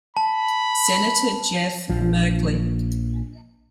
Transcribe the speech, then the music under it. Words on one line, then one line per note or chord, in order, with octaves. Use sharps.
Senator Jeff Merkley.
A5 B5
A#1 F3